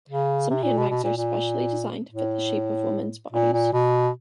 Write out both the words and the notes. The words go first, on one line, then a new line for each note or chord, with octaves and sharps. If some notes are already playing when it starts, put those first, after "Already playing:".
Some handbags are specially designed to fit the shape of women’s bodies.
C#3
C3
A#2
B2
B2
A#2
A#2
A2
A#2
A#2
B2